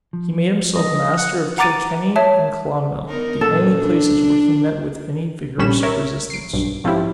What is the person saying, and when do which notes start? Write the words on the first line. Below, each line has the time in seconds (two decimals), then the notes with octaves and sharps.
He made himself master of Kilkenny and Clonmel, the only places where he met with any vigorous resistance.
0.13 F3
0.76 D#5
1.17 F#5
1.58 F#5 A#5 D6 A6 D7 D#7
2.16 C#5 E5 A5
3.08 B3 D#4 A#4
3.41 F#2 A#2 C#4 A4
3.81 D4
5.58 A#1 C3 G3 C#4 B5 E7
5.83 A#4 C#5 E5
6.30 C7 D7
6.53 B1 G2
6.84 G#2 F3 C4 C#4 E4 G4